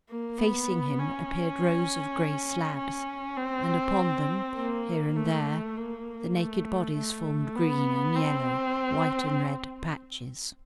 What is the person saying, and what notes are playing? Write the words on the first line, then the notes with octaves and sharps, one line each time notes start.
Facing him appeared rows of grey slabs, and upon them, here and there, the naked bodies formed green and yellow, white and red patches.
A#3
B3
C#4
C#4
C4
A#3
A3
A#3
A3
A3
B3
C4